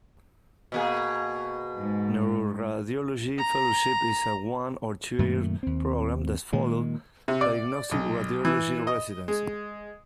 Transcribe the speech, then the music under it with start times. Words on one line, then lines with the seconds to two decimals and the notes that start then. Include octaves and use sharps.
Neuroradiology fellowship is a one- or two-year program that follows diagnostic radiology residency.
0.72 B2 A#3 G#4
1.77 G#2
3.39 A#5
5.19 F#2 A#2 D#3 A3
5.63 D#2 C4
6.53 A#2 D#3 G#3
7.28 C3
7.41 D5
7.91 B1
8.45 E3
8.87 D#5
9.28 G#3